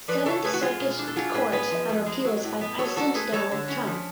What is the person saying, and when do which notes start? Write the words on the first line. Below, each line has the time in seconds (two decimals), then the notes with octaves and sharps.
Seventh Circuit Court of Appeals by President Donald Trump.
0.08 F3 B4 D5
0.26 C#3 A4 C#5
0.44 A3 G#4 B4
0.54 F#4
0.62 G#3 F4 G#4
0.80 B2
0.99 D4
1.07 A4
1.16 F#3 F4 G#4
1.34 A2 G#4 B4
1.52 B3 G#4 B4
1.71 F3
1.89 F2
2.06 G#3
2.25 F#3
2.43 A2
2.61 B3
2.78 F#3 A4 C#5
2.96 G#2 F#4 A4
3.15 A3 G#4 B4
3.32 F#3 A4 C#5
3.51 D3
3.69 C#4
3.87 F3